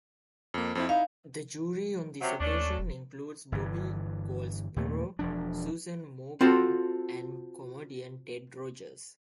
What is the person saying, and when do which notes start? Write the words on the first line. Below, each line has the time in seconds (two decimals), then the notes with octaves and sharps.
The jury on this occasion included Bobby Goldsboro, Susan Maughan and comedian Ted Rogers.
0.54 F2 A#3
0.75 F2 C4 E4
0.89 D#4 E4 F5
2.21 C3 F#3
2.40 D#2 A3 C#4 D4
2.78 E1
3.52 G1 G2 E3
4.76 D#2 A#2 A3
5.19 E1 F3 D4
6.41 C4 F4 F#4 A4